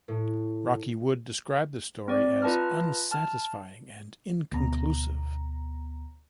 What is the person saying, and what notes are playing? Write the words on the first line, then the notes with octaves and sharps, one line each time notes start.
Rocky Wood described the story as "unsatisfying and inconclusive".
A2
C4 D5
F4 B4 D#5 A5 A#5 F6
A5 F6
D2 B2 A#5